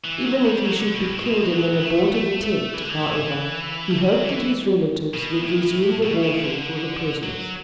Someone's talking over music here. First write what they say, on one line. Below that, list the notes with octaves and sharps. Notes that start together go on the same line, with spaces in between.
Even if he should be killed in an abortive attempt, however, he hoped that his relatives would resume the warfare for the prisoners.
E3
F#3
G3
F#3
D3
B2
A2
B2
F#3
B3
A3
A3
A3
E3
D3
E3
A3
G3
F#3
E3
B2
A2
B2
C#3
D3
F#3